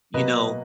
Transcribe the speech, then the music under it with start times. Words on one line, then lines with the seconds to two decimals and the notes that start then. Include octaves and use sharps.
you know,
0.14 B2 F#3 A#3 B4 D#5